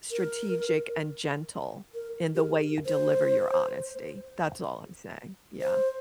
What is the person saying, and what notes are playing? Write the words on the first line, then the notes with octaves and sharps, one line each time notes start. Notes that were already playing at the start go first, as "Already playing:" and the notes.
strategic and gentle in the way you deliver your honesty, that's all I'm saying, yeah.
A#4
A#4
G4
A#4
C5
C5